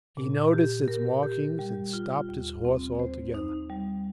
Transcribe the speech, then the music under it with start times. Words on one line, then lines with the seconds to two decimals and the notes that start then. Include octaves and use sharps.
He noticed its marking, and stopped his horse altogether.
0.17 A#2
0.53 G4
0.88 A#4
1.23 G4
1.59 G3
1.93 F4
2.29 D#2
2.65 C4
3.00 C5
3.34 D#4
3.70 G3